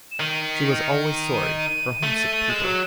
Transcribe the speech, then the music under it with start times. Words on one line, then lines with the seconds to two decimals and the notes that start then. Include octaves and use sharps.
She was always sorry for homesick people.
0.11 E7
0.19 D#3 D#7
0.31 D#7
0.42 C#7
0.54 B6
0.65 C#7
1.11 D#7
1.34 D#7
1.57 D#7
2.03 A3
2.49 G#3 E7
2.64 F#3